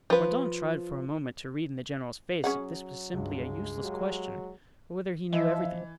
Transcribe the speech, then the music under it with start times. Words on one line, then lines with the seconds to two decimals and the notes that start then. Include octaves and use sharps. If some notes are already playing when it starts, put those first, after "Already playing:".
Mordaunt tried for a moment to read in the general's face if this was simply a useless question, or whether he knew everything.
0.10 F3 B4
2.44 F#3 C#4 G#4 C#5 F#5
3.13 C#2 G2 G#3
3.83 F#3 G4 F5
5.33 E3 F3 D#5 E5